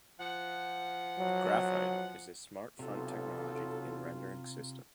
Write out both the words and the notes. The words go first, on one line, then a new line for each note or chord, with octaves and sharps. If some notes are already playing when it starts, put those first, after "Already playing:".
Graphite is a smart-font technology and rendering system.
F3 F#5
F#3
B1 C3 F4 A4